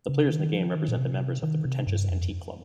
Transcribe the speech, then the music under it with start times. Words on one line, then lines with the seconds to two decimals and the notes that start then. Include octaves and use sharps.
The players in the game represent the members of the pretentious Antique Club.
0.09 C#3
0.31 D#3
0.54 F3
0.76 D#3
0.88 A#2
0.98 C3
1.43 D#3
1.65 C3
1.87 G2
2.10 F2